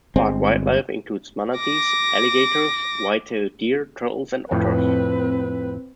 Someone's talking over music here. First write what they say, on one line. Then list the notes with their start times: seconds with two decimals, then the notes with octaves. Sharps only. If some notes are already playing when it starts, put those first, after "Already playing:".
Park wildlife includes manatees, alligators, white-tailed deer, turtles and otters.
0.16 G1 G#3 C4
1.59 D6 A#6
4.51 F2 A2 C4 B4